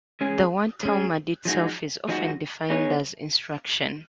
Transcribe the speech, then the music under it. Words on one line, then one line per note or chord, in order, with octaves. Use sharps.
The word "Talmud" itself is often defined as "instruction".
G#3 C#4 G#4
G#3 C#4 G#4
F3 G#3 D#4 F#4
F3 G#3 D#4 F#4
B3 D#4 G#4 C#5